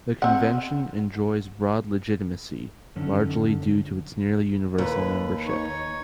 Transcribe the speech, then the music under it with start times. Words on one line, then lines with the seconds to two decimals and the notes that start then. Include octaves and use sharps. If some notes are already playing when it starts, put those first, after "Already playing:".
The convention enjoys broad legitimacy, largely due to its nearly universal membership.
0.22 C4 F#5
2.96 F#2 D3 D#3 C#4
4.78 D#2 B4
5.44 D#4 C#5